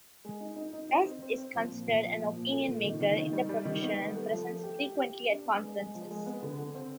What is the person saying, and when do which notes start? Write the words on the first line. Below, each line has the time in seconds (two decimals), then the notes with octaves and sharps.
West is considered an "opinion maker" in the profession and presents frequently at conferences.
0.25 G#3
0.40 D#4
0.56 D#4
0.73 D#4
0.89 D#4
1.05 C4
1.22 C4
1.38 C4
1.55 F3
1.70 A#2
1.87 A#2
2.02 F3
2.20 A#2
2.36 A#2
2.52 A3
2.68 A#2
2.84 D#3
3.01 D#3
3.16 D#3
3.33 G3
3.49 G3
3.65 D#3
3.82 B3
3.98 G3
4.15 A3
4.31 F3
4.47 A3
4.63 G4
4.79 G4
4.95 G4
5.12 G4
5.28 D4
5.45 B3
5.62 G#3
5.78 G#3
5.94 F3
6.11 G#3
6.26 B3
6.43 D3
6.58 D3
6.75 C4